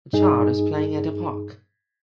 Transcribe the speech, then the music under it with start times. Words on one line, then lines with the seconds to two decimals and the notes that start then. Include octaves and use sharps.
A child is playing at a park.
0.13 G2 D#4 G#4